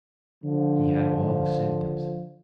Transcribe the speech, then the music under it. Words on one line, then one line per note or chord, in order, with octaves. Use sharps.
He had all the symptoms.
D3 F3